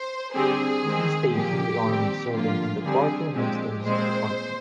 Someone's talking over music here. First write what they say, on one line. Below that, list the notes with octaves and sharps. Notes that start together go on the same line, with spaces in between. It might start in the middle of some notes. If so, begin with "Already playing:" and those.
He stayed in the army serving in the quartermaster's department.
Already playing: C5
D3 G3 C4 G#4
D#3 G#3 C4
A#2 F3 A#3 G4
D#3 G3 C4
D3 F3 A#3 F4
D3 G3 C4 G#4
A#2 F3 G#3 C4 G4
A#2 G#3 C4 C5